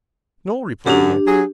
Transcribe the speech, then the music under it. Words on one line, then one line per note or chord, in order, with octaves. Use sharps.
"No," replied the ape.
F#2 D3 D4 G4
F#3 G#4